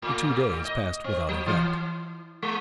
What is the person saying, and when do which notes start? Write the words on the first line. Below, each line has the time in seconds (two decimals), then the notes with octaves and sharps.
The two days passed without event.
0.02 A2
0.65 D#5
1.04 C4
1.29 F#3
1.46 E3
2.42 G#3